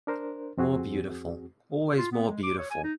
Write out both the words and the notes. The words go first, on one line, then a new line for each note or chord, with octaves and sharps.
More beautiful, always more beautiful!
D4 A#4 C5
F2 C4 F#4 G#4
F4
B3
G#3
D6
C#5
G#5
D#4